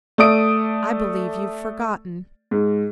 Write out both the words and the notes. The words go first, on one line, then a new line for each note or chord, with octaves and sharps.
"I believe you've forgotten."
A3 D5 D#6 D7
G#2